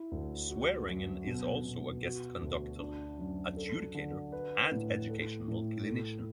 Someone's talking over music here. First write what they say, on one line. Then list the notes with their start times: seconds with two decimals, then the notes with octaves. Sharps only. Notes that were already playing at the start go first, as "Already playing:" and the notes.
Swearingen is also a guest conductor, adjudicator and educational clinician.
Already playing: E4
0.11 D2
0.50 F#4
0.88 F#2
1.27 B2
1.65 B2
2.03 F#4
2.41 D2
2.79 D4
3.19 F#2
3.57 A4
3.95 D3
4.32 B4
4.71 A2
5.09 A4
5.48 A2
5.86 A4